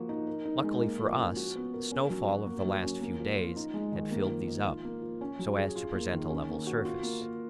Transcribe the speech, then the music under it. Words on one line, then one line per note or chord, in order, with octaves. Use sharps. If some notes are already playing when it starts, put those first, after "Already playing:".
Luckily for us, the snowfall of the last few days had filled these up, so as to present a level surface.
Already playing: F3 A#3 F#4
D#4
A#4
D#4
G#3
A#3
F3
C#4
F#4
B3
A#4
C#4
F#3
F#4
A#3
F#3
C#4
A#3
F3
F4
D#4
G#3
D#3
A#3
F3
D#4
F4
A#3
F3
C#4
F#3
G#4
F4
A#3
D#3
C#4
A#3
F#4
F4
A#3
A#4